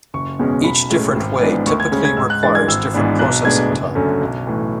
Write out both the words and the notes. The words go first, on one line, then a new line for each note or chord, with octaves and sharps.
Each different way typically requires different processing time.
F#1 C#6
E2 B2 G#3 C#4
B1 B5
A2 G#3 C#4
G#1
G#2 E3 B3 D4
D2 C#6
G#6
C#3 G#3 C#4
G#6
G#2 E6
F#6
E3 G#3 D4 A6
G#6
G#1 E6
G#2 E3 B3 D4
B1 F#6
A2 G#3 B3 D4 G#6
F#1
F#2 D3 A3 C#4
B1
A2 E3